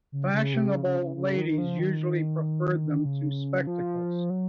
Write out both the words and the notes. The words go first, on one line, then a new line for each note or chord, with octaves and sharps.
Fashionable ladies usually preferred them to spectacles.
C#3
C#3
C3
C#3
C#3
C#3
C#3
D#3
D#3
F3
D#3
C#3
F3
F#3